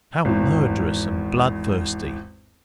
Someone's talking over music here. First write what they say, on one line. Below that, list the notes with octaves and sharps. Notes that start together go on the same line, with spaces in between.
"How murderous and bloodthirsty!"
G#1 E2